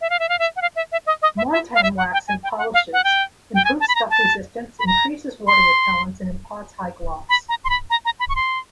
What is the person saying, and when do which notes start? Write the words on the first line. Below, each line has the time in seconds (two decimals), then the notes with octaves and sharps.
Montan wax in polishes improves scuff resistance, increases water repellence, and imparts high gloss.
0.01 E5
0.10 F5
0.19 E5
0.29 F5
0.39 E5
0.56 F#5
0.62 F5
0.76 E5
0.92 E5
1.06 D#5
1.22 D#5
1.37 E5
1.52 E5
1.75 F5
1.83 E5
1.97 F#5
2.13 G5
2.28 G#5
2.43 G5
2.58 F#5
2.74 F5
2.93 F#5
3.04 G5
3.55 G5
3.65 G#5
3.80 A5
3.88 B5
3.95 A#5
4.10 A5
4.79 B5
4.87 A#5
5.47 C6
7.29 B5
7.49 A#5
7.64 C6
7.70 B5
7.90 A#5
8.05 A#5
8.20 B5
8.29 C#6
8.36 C6